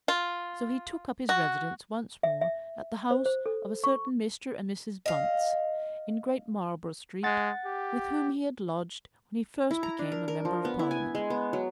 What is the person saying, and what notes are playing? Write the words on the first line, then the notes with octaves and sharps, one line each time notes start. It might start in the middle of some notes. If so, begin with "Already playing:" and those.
So he took up his residence once more at the house of a certain Mr. and Mrs. Bunce, in Great Marlborough Street, with whom he had lodged when he first became a member of Parliament.
F4
F#4
E5
E5
C5
C5
A4
C#6
D#5 F5
G#3 F#5 A6
G4
E4
A#5
D4
A#4
A#4
F3
B3
E4
G#5
G#3
B3
F#3